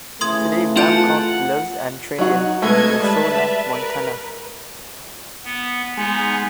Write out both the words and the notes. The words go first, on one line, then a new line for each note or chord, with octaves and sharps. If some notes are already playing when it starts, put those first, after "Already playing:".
Today Babcock lives and trained in Missoula, Montana.
C#3 E3 A3 C6 D#6 G#6
F4 F#5 A5 G6 D7 F7
F#3 D#4 F#4
G#3 A3 A4 B4 D#5 G#6
G3 G#3 B4 E5 A5
A#4 B4
B3
G#3 B3 D#4